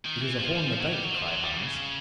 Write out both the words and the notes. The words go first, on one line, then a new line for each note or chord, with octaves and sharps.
"It is a hole in the dike!" cried Hans.
D#3
E3
F3
G3
F3
F#3
G3
F#3
F3
F#3
G3
C#3